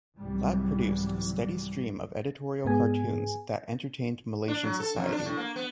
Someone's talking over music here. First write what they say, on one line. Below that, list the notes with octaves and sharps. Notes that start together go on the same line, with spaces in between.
Lat produced a steady stream of editorial cartoons that entertained Malaysian society.
C2 G#2 C3 E3 F#3 G3
G#2 B3 G#4 G#5
D4
F#3
A4
F2
D4
A2
A#3
B3